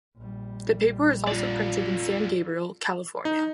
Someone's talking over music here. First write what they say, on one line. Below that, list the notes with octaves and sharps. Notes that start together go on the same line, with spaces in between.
The paper is also printed in San Gabriel, California.
A#1 G3
F2 D3 F4 D5
D#4